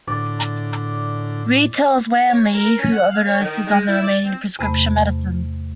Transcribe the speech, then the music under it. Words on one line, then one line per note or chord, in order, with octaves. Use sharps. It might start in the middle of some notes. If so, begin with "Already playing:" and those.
Reed tells Wanley, who overdoses on the remaining prescription medicine.
A2 D3 D5
C#5
A#4
C#4
F#5
F5
C#5
D#3
G#3
E4
D5
C4
E2 C3 A3 B5